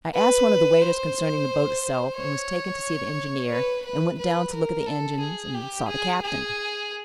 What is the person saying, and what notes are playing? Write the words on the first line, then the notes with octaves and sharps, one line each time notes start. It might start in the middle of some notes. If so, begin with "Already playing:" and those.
I asked one of the waiters concerning the boat itself, and was taken to see the engineer, and went down to look at the engines, and saw the captain.
B4
C5
C#5
B4
B4
B4
A#4
A4
G#4
G4
G#4
G#4